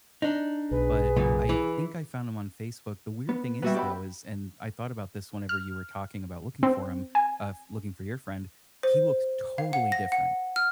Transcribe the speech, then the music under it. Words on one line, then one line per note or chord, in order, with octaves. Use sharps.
but I think I found him on Facebook. The weird thing is though is and I thought about this whenever you were talking about looking for him, uh, f looking for your friend, he looked totally different,
D4 D#4
B1 G#4 B4
C#2 F#2 A#2
E3
B3
A#2 G3 B3 F#4 E5
G4 D5 B5
F6
C4
G#5
C5
F5
F#5
A#6
F#5
F6